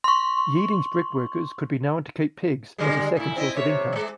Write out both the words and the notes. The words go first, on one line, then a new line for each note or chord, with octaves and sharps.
Yeading's brickworkers could be known to keep pigs as a second source of income.
C6 C#6
D3 G3 G#3
A2 E4
C4 E4 D#5
C3 C#5 E5
F#3 G#3